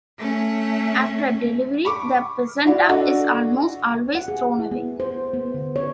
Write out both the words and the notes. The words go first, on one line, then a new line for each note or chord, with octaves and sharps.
After delivery, the placenta is almost always thrown away.
A3 C#4
B5 C#6 D6
E4 F#4 D5
D4 F#4 A4 D#5
F#5
G#4
E4
B3
C5
B3
D3
C#5